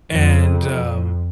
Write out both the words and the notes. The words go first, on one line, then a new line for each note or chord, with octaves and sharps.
and, um,
F2